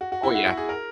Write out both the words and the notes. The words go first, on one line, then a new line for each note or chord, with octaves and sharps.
Oh, yeah.
F#4
F#4
E4
F#4
F#4
G#4
A#4